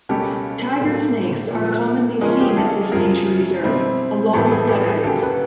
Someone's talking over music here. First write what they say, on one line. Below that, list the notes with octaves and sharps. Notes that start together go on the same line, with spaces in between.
Tiger Snakes are commonly seen at this nature reserve along with Dugites.
C#2 B2 G3 A#3 C#4 G4 A4
A2 F#3 A#3
A#2 F3 A3
C#3 F3 G#3 C#4 G#4 A#4
G4
G#4
G4 A4
F#2 C#3 F3 G#4 A#4
B2 G3 C4 E4
A2 E3 G3 B3 G4 A4
G#4
G4
G#4
D2 C#3 F#3 A#3 G4 A4
A4 B4